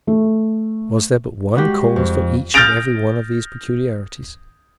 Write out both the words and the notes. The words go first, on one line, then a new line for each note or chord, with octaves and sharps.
Was there but one cause for each and every one of these peculiarities?
A3
G3 G#3 F#4 G4
F2
F6 G6 A6 A#6 D7 F7